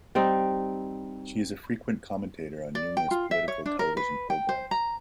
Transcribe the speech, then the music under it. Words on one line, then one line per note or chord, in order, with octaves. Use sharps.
She is a frequent commentator on numerous political television programs.
G3 C4 D#4
D5
G5
F4
E5
C#5
D4
A#4
B4
G5
C5
A#5